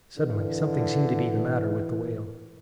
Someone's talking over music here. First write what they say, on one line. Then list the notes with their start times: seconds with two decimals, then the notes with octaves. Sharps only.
Suddenly something seemed to be the matter with the whale.
0.17 D3 E3